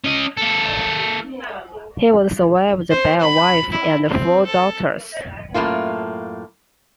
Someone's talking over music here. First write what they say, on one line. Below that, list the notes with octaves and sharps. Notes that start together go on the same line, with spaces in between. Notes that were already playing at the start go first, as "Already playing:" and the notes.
He was survived by a wife and four daughters.
C#4 D#5
A#3 A4
C5
B5
E4
C4
A4
F#2 A2 A3 A#3 F4